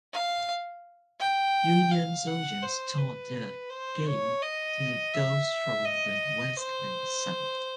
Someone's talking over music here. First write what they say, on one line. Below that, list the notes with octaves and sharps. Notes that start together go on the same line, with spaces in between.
Union soldiers taught the game to those from the West and South.
F5
G5
F5
F#5
C5
B4
C5
C#5
D#5
E5
D#5
C5